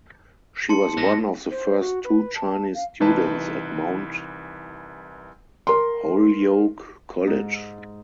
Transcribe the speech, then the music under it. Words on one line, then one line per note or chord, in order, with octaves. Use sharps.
She was one of the first two Chinese students at Mount Holyoke College.
A5 C6 C#7
G#2 A#6
C5
F#4
B4
A5
F5
C2 E3 D#4 B4 A5
A#4 C6
G#2